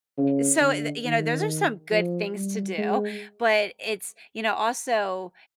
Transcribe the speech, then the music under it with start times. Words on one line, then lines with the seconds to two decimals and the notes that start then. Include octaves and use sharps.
So, d you know, those are some good things to do, but it's, you know, also,
0.17 C#3
0.60 D3
1.05 D#3
1.91 F3
2.35 G3
2.78 G#3